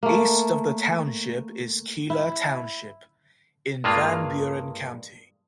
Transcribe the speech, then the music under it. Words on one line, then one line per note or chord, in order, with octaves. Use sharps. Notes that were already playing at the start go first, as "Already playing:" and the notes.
East of the township is Keeler Township in Van Buren County.
A3 A#3
E4
G2 G#3 A#3 F4